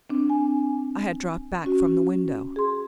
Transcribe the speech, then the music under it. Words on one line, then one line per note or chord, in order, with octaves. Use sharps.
I had dropped back from the window.
C4 D4
G#5
C#4 F#4
G#4 C6